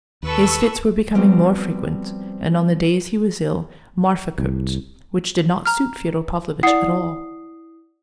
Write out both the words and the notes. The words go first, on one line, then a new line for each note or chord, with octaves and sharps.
His fits were becoming more frequent, and on the days he was ill Marfa cooked, which did not suit Fyodor Pavlovitch at all.
D#2 A4 B4 C#6 E6
F3 G3 B3 C4 F#4
C2
A#5 F6
E4 D5 F#5 D#6 C7